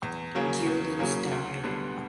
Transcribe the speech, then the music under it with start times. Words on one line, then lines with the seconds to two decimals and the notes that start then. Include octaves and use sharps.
Geerlings died.
0.03 E2
0.35 C#3 F#3 A#3 C#4
0.66 E2
0.99 C#3 F#3 A#3 C#4
1.31 D2
1.63 D3 G3 B3 D4